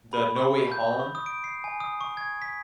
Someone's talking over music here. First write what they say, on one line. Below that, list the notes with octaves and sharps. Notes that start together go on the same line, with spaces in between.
the No Way Home.
B5
C#6
G6
C#6
D#6
D7
C7
G#5
D#6
C#6
G#6
B6